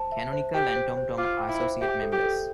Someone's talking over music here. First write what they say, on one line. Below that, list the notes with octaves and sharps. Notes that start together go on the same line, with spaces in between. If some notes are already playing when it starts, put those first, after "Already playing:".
Canonical and TomTom are Associate Members.
Already playing: C5 A5
E5
C5
G4 G5
C5
C5
F4 D6
G5
E4
C5
G4 E5
A4
G4
A4